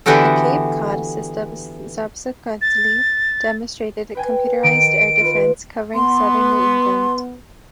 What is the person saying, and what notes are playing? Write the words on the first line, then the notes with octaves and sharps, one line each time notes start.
The Cape Cod System subsequently demonstrated computerized air defence covering southern New England.
D3 E3 B3 F#4 G4 A4
A6
B4 G5 G#5
D#3 D7
F4 B4
B3 C6